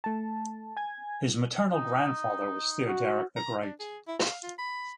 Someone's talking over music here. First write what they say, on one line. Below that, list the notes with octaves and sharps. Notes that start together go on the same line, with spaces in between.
His maternal grandfather was Theoderic the Great.
A3 A5
G#5 G#6
D#4
F#4
A#5
D4
G#4
E4
F5
F4
B5